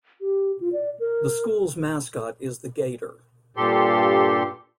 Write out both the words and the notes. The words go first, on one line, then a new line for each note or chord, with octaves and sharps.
The school's mascot is the Gator.
G4
F4
D5
A#4
G2 A#2 G4 A4 C6